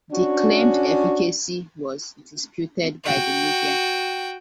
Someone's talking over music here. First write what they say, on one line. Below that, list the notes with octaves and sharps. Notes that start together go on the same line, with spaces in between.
The claimed efficacy was disputed by the media.
C#4 D4 F#4
F#4 G5